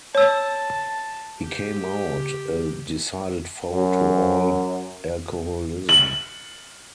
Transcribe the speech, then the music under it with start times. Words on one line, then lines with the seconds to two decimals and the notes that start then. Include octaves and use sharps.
He came out a decided foe to all alcoholism.
0.15 C#5 A5 E6
1.43 G4
3.71 F#2
5.89 F#7